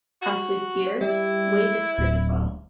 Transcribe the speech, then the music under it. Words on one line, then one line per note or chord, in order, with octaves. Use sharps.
As with gear, weight is critical.
F#4
G3 E4
D1